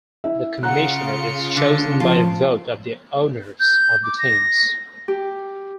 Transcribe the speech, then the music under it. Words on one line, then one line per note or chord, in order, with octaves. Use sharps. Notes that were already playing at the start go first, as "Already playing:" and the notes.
The commissioner is chosen by a vote of the owners of the teams.
E4 E5
C#3 F4 F#5 A#5 F#6 C#7
D3
C#3 F3 F4 A5
G6
D6
A#6
G4